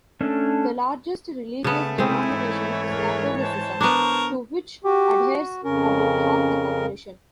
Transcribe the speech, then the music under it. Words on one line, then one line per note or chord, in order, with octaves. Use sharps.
The largest religious denomination is Catholicism, to which adheres about half the population.
A3 C#4 D4 A4
C#3 A3 B3 A5
C3 G#3 C4 C#4 D#4 E4 D#6
G#2 E3 C#5
G#4 A#4
C5 A5
B3 D4 A#4 C#6
F#4 G4
F2 C#3 C#4 A#4